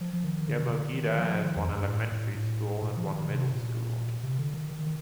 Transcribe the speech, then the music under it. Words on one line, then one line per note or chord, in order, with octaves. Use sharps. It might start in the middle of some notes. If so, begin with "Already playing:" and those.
Yomogita has one elementary school and one middle school.
F3
F3
D#3
D3
C3
D3
D#3
F3
D#3
F2
G2
A2
A2
A2
A#2
F3
D#3
C3
A#2
C3
D3
D#3
D#3
D#3